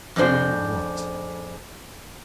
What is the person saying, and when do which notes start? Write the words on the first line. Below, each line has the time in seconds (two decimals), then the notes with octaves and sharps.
"Doing what?"
0.16 F2 A2 C#3 D4 C5